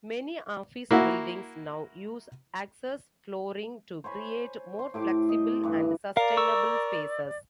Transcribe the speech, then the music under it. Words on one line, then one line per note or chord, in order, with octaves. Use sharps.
Many office buildings now use access flooring to create more flexible and sustainable spaces.
A#3 E4 F#4
C5 C#5 G#5 B5
C6
A2 G4 C6 D6
D#5
G2 E3 B4
A#4 D5 F5
C#6 E6